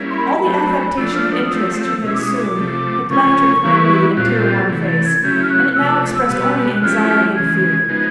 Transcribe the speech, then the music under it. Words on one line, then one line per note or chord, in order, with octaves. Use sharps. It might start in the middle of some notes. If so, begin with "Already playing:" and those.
All the affectation of interest she had assumed had left her kindly and tear-worn face and it now expressed only anxiety and fear.
Already playing: G3 A#3 C#4 E4
C6
B5
F#3 A3 C4 B5
F3 A3 D4 E6
F6
D#6
F3 A3 C4 E6
B2 G#3 C#4 E4 E6
D6
D#6
D6
C3 F3 A3
C#3 F3 A3 C#4 C#6
E3 G3 B3 E4
A#2 G3 C4 F4 F#6
G6
A6
C3 E3 A3
A6
G#6
C#3 F#3 A3 C#4 E4 G6
F6
F#6
C3 F3 A3 E6
B2 G3 B3
F#6
F3 A3 C#4 E4 G4 F6
C#3 E3 G#3 G#6
F3 G#3 B3 D#4